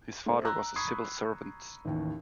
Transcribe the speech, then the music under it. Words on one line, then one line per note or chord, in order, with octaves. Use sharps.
His father was a civil servant.
A3 A4 C5
A#5 E6 F#6
A#5 B5 C#6 D#6 G#6 C7
A1 D#2